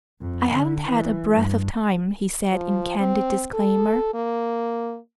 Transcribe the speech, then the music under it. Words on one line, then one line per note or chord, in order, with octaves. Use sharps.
"I haven't had a breath of time," he said in candid disclaimer.
F2
D3
E3
G2
F3
C4
A4
A#3